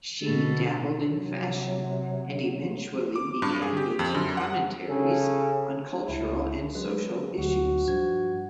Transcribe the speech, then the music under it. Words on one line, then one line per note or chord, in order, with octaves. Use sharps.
She dabbled in fashion and eventually began making commentaries on cultural and social issues.
B2 D3 A4
C3 F#3
D6
G2
G#4
G4
F2
F#2
F#5
C#3 C#4 A4
C#2 E4
F#3 G#3 B4
D2 F#3 F#4
G2 F3 G#6